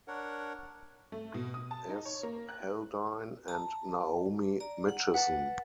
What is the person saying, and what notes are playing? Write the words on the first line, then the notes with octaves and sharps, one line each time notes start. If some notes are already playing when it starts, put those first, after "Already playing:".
B. S. Haldane and Naomi Mitchison.
D4 A#4 C#5 F#5
A3
B2
D#6
A5
D#4
C#5
A#3
F#6
A5 A#5
D5 A#5
F#5
B4 F#5 A5